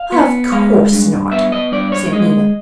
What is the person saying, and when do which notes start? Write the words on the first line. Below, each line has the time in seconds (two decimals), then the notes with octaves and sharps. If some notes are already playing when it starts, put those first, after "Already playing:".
"Of course not," said Nina.
Already playing: F5
0.12 B3
0.52 G#3 F5
0.92 G2
1.32 B3 E5
1.52 D#5
1.72 G2 D5
1.92 C#5
2.12 G#3 D#5